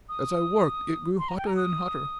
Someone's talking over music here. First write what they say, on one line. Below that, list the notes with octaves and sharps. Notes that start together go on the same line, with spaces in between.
As I worked it grew hotter and hotter.
D#6
C6
A#5
G5
A#5
D#6